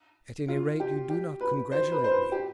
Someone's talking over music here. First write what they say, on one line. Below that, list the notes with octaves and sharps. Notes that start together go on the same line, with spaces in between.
"At any rate you do not congratulate me."
F4
G4
G4
B4
C5
B4
C5
B4
G4